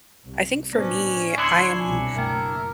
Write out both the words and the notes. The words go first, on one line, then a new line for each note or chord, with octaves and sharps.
I think for me, I am
C2
A2 B3 C#4 D4 B4 C5
D2 D4 E4 C#5 C6 D#6 F#6
C2 B2 G#5
F#1 A3 A#4 E5